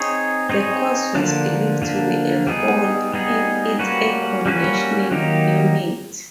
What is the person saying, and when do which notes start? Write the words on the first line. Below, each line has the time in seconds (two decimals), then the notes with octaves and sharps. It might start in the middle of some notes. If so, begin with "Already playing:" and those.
The cause was believed to be a fault in its air conditioning unit.
Already playing: C4 D#4 G#4 C#5
0.49 C4 D#4 G#4 C#5
1.15 D3 F3 A#3 D4
1.82 D3 F3 A#3 D4
2.47 G3 B3 D#4 G#4
3.13 G3 B3 D#4 G#4
3.79 G3 A#3 C#4 F#4 B4
4.46 G3 A#3 C#4 F#4 B4
5.11 D#3 F#3 A#3 D#4 G4